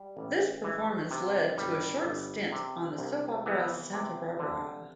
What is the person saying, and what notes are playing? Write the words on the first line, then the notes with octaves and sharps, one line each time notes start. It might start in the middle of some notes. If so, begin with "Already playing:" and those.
This performance led to a short stint on the soap opera "Santa Barbara".
Already playing: G3
A1
E3
C3
G1 G3
G1
C3
C2
E3 B3
C3
D3